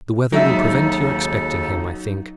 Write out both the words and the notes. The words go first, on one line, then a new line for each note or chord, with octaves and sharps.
The weather will prevent your expecting him, I think.
D#2 C#3 F#3 G#3 D#4 A4 E5